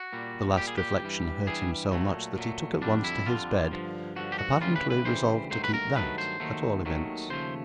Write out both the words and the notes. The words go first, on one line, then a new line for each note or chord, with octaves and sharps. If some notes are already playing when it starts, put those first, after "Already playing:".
The last reflection hurt him so much, that he took at once to his bed; apparently resolved to keep that, at all events.
Already playing: F#4
A#2 G3
A#2 G3 G4
G#4
G4
G2 E3 G3
G2 E3 G3 G#4
A#2 F#3 A3
A#2 F#3 A3
F2 D3 G3 D4
E4
F2 D3 G3 F4
G2 D3 F3
G2 D3 F3 F#4
G4
F#4
D2 C#3 E3 G3 F4
B4
B4
D2 C#3 E3 G3 C5
G2 D#3 F#3 A3 C5
B4
A#4
G2 D#3 F#3 A3 B4
C5
D#2 D#3 F#3 A3
D#2 D#3 F#3 A3
D#2 C#3 F3 A3 C5